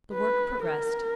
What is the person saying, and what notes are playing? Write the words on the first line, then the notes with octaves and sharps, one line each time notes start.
The work progressed.
B4
A#4